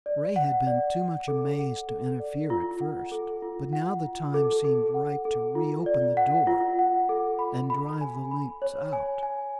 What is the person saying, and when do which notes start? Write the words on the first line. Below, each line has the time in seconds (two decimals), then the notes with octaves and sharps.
Ray had been too much amazed to interfere at first, but now the time seemed ripe to reopen the door and drive the lynx out.
0.06 D5
0.36 F#5
0.67 D5
0.98 F#5
1.28 A4
1.59 F#5
1.89 A4
2.20 D5
2.50 F4
2.81 F#5
3.12 A4
3.42 F4
3.73 F#5
4.03 F4
4.34 A4
4.64 A4
4.94 F#5
5.25 A4
5.55 F4
5.86 D5
6.17 F#5
6.47 F4
6.79 F#5
7.09 A4
7.39 B5
7.70 B5
8.01 G#5
8.31 B5
8.62 C#5
8.93 G#5
9.23 G#5